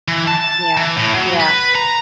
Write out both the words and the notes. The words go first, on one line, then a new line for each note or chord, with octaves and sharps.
Yeah, yeah,
E3
A5
E3
A2
F#3
B4
A#5